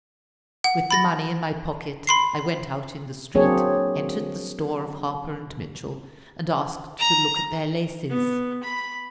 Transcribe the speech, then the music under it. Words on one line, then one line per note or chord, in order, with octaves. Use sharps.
With the money in my pocket I went out in the street, entered the store of Harper & Mitchell, and asked to look at their laces.
F#5
B5 A6 A#6
B5 C6 C7
F#3 A#3 C4 D4 G#4 C#5
A#5
B3
B5